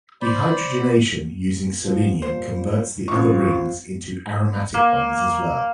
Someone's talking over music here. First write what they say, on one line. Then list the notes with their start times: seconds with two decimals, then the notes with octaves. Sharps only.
Dehydrogenation using selenium converts the other rings into aromatic ones as well.
0.21 C5 D5 B5
1.81 B2 F3
2.22 A#2 G3 F4 C5
3.08 A1 C4 F4 C#6
4.74 A#3